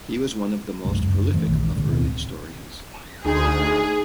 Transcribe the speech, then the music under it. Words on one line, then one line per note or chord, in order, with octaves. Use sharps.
He was one of the most prolific of early historians.
C2 F#2 C#3 G#3
F#2
E3 A3 C#4
A#1 D#3 G#3
C2 G#2 D3 D#3
D1 B1 B2 C4
D2 D#4 G#4